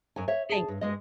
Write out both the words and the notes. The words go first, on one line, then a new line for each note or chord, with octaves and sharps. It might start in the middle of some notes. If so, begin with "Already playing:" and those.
Thank you.
F#2 C#4 G#5
C#5 E5
G#4 A5
G2
G2 G#3 D#5